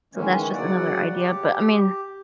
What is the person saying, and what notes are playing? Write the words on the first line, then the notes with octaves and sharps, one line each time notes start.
So that's just another idea, but I mean
D#3 E3 G#3 A#3 C#4
C#3 F#3 D5 F#5
G4